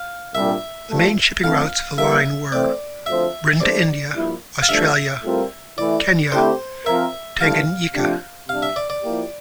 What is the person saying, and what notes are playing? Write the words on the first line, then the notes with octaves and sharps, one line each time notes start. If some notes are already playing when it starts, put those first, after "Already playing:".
The main shipping routes of the line were: Britain to India, Australia, Kenya, Tanganyika.
Already playing: F5
C2 A#2 G3 D4 E5
G2 F3 A3
F2 D3 F3 A3 C4 F5
E3 G3 A#3 E5
E3 A3 C4 D5
D2 D3 F3 C4 E5
E3 G3 D4 A4 C5 D5
G2 F3 A#3 E4
F5
G2 D3 F3 A3 D4 E5
A2 G3 C4 F4 A#4
E3 A3 E4 D5
D3 A3 C4 E4 G4 C5
F3 C4 F4 A#4 E5
G2 E3 A3 F5
C3 F3 A3 D4 G4
C3 G3 D4 F5
E5
D5
D5
F3 A#3 E4 G4